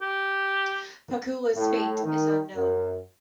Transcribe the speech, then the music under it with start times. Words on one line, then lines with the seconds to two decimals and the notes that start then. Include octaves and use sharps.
Paculla's fate is unknown.
0.01 G4
1.54 A2
2.03 D#3
2.53 F#2